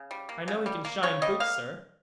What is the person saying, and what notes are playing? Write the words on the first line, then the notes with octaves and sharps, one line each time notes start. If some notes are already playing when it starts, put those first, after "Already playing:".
"I know he can shine boots, sir."
Already playing: C#3
G3
A#3
C#3
G3
A#3
C#3 C#5
G3 D#5
A#3 F5